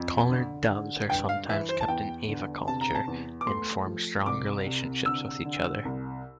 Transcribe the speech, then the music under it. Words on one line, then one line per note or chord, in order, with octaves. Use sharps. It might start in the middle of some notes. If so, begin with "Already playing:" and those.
Collared doves are sometimes kept in aviculture, and form strong relationships with each other.
Already playing: F2
D3
D3
G2 G5
F5
E3 E5
C5
A5
E2 G5
D3
C3 A5
A#5
A5
E2
D6
A3 C6
F3
C2 D6
C3
D3 E6
D3
C2